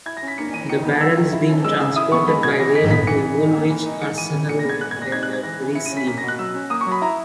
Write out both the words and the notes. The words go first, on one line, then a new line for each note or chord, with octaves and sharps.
The barrels being transported by rail to Woolwich Arsenal where they were re-sleeved.
E4 G#6
A#6
C#4
B6
A#3 C#7
E3 D#7
D#3 C#7
B3
F#3 E6
D#3
E4
C#4
G#3 E6
C#3 E6
E4 D#6
B3 C#6
G#3 B5
B2 G#6
E3 A#6
D#4 B6
B3 B6
E3 C#7
E3
D#4
A#3
E3
D#4
G#3 C#7
E3 D#7
C#3
A#2 C#7
A#6
B3 G#6
G#3 F#6
G#6
A#2
A#6
D#4 G#6
F#6
G#3
G#6
E3 A#6
C#3
E4 C#7
D#7
C#4
B6
A#3 B6
A#6
B2
F#6
F#3 E6
C#4
A#3 D#6
C#6
F#3
B5
E4 A#5